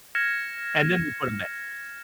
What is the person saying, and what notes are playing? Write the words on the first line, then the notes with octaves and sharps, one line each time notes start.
and then they put 'em back.
F6 G#6 A#6 C#7 E7